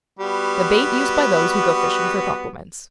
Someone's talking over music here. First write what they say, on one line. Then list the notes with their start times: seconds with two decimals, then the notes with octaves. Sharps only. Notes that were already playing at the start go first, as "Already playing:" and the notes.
The bait used by those who go fishing for compliments.
0.19 G3 B3 F#4